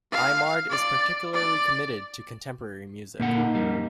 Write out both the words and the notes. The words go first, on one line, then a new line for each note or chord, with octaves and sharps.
Aimard is particularly committed to contemporary music.
F5
D5
D5
A#2 D3 A#3 F#5
D#4
F2 G#2 G3